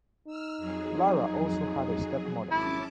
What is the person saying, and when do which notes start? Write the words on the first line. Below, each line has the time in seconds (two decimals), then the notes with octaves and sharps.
Lara also had a stepmother.
0.27 D#4 E6 F6
0.58 F2 F#3 G#4
2.51 G#1 C#4 E4 A5 D6